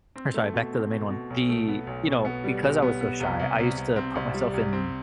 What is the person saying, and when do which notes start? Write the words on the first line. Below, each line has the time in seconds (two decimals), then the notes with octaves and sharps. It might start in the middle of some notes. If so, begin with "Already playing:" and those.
or, sorry, back to the main one. The you know, because I was so shy, I used to put myself in
0.16 C4
0.34 A3
0.54 B2
0.73 C4
0.91 B2
1.10 B2
1.30 B1
1.49 A3
1.68 B3
1.87 B1
2.06 B2
2.25 B3
2.44 G3
2.63 B1
2.82 B3
3.01 B3
3.20 C2
3.39 C2
3.58 C2
3.77 C2
3.96 C4
4.15 C2
4.34 G3
4.53 C2
4.73 C4